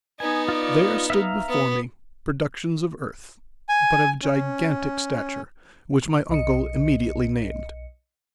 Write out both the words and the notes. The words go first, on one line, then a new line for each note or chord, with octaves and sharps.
There stood before me productions of earth, but of gigantic stature, which my uncle immediately named.
B3 D#4 G#5
F4 D5
E5 F5 A#5
B3
G#5
C#4
B1 D#5 C#7